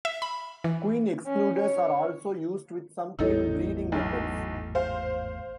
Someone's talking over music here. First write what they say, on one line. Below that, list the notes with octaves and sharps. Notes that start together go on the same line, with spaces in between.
Queen excluders are also used with some queen breeding methods.
E5
B5
E3
C#4
C#5
G#1 E2 A2 D#4 E4 A4 C#5
B1
C5 F5